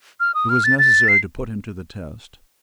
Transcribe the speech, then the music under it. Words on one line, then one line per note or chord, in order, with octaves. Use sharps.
It was necessary to put him to the test.
F6
D#6
F6
A6
A6
C7